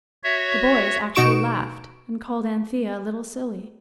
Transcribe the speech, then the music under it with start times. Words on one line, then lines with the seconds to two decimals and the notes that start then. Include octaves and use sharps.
The boys actually laughed, and called Anthea a little silly.
0.23 F#4 C#5 E5
1.15 B2 D#4 F#4 C#6 D7 E7